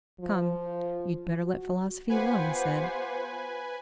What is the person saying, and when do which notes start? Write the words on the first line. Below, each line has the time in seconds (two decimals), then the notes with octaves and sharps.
"Come, you'd better let philosophy alone," he said.
0.20 F3
1.44 F#4
2.09 B3 F4 G4 B4 C5 F#5 G#5